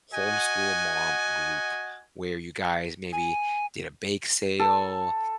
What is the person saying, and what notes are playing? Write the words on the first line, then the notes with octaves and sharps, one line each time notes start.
homeschool-mom group where you guys maybe did a bake sale,
F#4 D#5 F#5 G#5
G#5
A4